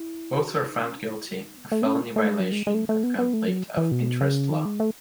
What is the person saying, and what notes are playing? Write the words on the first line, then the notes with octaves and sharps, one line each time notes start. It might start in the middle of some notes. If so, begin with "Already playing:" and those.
Both were found guilty of felony violation of conflict of interest law.
Already playing: E4
F#4
E4
D#4
C#4
D#4
E4
F#4
D#4
B3
A3
B3
C#4
A3
G#3
F#3
G#3
G#3
A3
A3
B3
B3
A3
F#3
E3
B2
C#3
D#3
G#3
A3